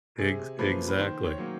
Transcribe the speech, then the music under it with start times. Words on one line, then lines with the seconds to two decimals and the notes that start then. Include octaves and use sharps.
Ex exactly.
0.18 C3 G#4
0.59 F3 A#3 B4
0.88 B4
0.98 D#3 C5
1.25 C#5
1.38 F#3 A#3